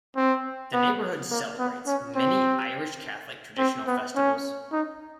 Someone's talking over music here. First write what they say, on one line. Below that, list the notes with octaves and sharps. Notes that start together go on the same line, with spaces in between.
The neighborhood celebrates many Irish Catholic traditional festivals.
C4
B3
A#3
B3
C#4
C4
C4
B3
C#4
D#4